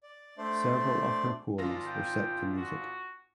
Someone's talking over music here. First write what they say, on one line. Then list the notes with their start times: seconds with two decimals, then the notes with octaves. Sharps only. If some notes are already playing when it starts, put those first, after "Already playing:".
Several of her poems were set to music.
0.03 D5
0.38 A3 D4 C5 D5
1.58 G#1 F4 A#6
1.86 G5
2.57 F#4